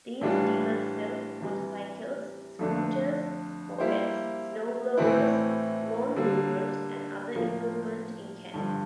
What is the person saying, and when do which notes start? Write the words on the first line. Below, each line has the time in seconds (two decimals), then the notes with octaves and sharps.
These dealers sell motorcycles, scooters, mopeds, snowblowers, lawnmowers and other equipment in Canada.
0.21 A2 E3 G3 D4 F4
1.41 C3 E3 G3
2.59 F2 D3 A3 D4
3.78 G3 A#3 E4 G4 C5
4.98 A2 E3 A3 C4 E4
6.16 D3 G3 A#3
7.36 A2 F3 A#3 F4 A#4
8.54 G2 D3 F3